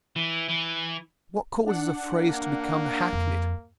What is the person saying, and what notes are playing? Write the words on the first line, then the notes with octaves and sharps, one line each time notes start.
What causes a phrase to become hackneyed?
E3
E3
D4 F#5
A#3
F2